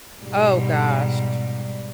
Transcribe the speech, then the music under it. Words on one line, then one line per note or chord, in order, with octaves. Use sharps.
Oh, gosh.
G#2 B2 G3